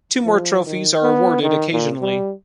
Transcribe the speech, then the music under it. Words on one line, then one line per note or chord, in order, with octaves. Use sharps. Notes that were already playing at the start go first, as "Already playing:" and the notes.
Two more trophies are awarded occasionally.
F3
D#3
B3
D#3
A#2
G3